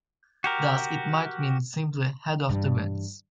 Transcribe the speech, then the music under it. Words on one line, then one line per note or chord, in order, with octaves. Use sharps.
Thus it might mean simply 'Head of the Winds'.
F#4 G4 A#4
G2 E3